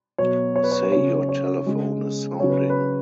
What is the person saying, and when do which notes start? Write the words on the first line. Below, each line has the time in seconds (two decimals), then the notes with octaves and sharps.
Say your telephone is sounding.
0.18 B2 F#3 C#5
0.56 C#5
0.64 B4
0.72 C#5
0.92 C#3 F#3 C#5
1.29 C#5
1.66 C#3 G#3
2.40 C#3 F#3 C#5
2.50 B4
2.70 B4